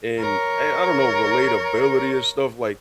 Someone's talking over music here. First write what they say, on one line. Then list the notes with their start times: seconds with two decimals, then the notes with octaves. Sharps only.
in a I don't know, relatability and stuff, like,
0.19 A#4 C#5